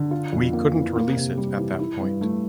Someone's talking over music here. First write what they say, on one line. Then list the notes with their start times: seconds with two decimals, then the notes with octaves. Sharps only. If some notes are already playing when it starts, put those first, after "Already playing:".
We couldn’t release it at that point.
Already playing: D3
0.11 F4
0.33 F2
0.53 A#3
0.74 E3
0.95 A#3
1.17 C3
1.37 G3
1.59 E3
1.80 E4
2.00 G2
2.21 A3